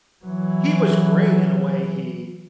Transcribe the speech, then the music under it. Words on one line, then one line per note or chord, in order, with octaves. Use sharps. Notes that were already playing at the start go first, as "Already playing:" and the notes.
he was great in the way he
E3 F#3